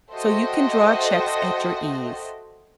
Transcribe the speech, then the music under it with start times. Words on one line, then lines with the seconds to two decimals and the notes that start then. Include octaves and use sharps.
So you can draw cheques at your ease.'
0.12 F#4 A4 C5 D#5 E5 G5